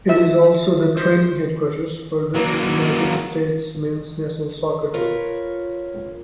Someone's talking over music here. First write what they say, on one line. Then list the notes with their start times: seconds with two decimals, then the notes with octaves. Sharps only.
It is also the training headquarters for the United States men's national soccer team.
0.09 E5
0.97 C5
2.35 F#3 A#3
4.94 F4 A#4 B4 C#5